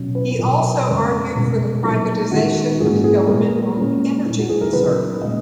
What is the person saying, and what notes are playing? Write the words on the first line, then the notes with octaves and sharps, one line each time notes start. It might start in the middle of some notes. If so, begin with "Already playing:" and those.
He also argued for the privatization of the government owned energy concern.
Already playing: B2 F#3 C#4
B4
B4
B2 F#3 B3 A#4
F2 C#3 G#3
B2 G#3 B3
A#2 F#3 B3 D#4
D#3 G#3 D#4 F#4
G#2 F3 A#3 C#4 G#4
G#4
A#2 G#3 B3 A#4
A#2 G#3 C#4
A#2 G#3 D#4
F#4
G#4
A#4
C#3 F#3 B3 D#4 B4
A#2 G#3 C#4 D#5